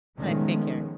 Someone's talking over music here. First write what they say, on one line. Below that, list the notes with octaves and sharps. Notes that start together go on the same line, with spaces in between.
I figure.
D#3 F3 G#3 A3 B3 C#4